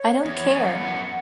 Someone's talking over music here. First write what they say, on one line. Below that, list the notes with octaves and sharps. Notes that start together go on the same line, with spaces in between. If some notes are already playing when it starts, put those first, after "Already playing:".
I don't care!
Already playing: C#5
E2
F#2
F#2 F#5
E2
F#2
F#2